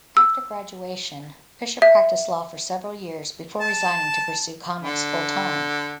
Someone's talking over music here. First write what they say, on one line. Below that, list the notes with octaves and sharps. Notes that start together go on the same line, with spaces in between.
After graduation, Fisher practiced law for several years before resigning to pursue comics full-time.
E6
E5
A5
D3